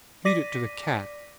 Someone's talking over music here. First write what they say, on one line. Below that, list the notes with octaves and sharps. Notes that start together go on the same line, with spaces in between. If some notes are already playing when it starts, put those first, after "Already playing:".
"Feed it to the cat."
D5 D6 A#6 B6 D#7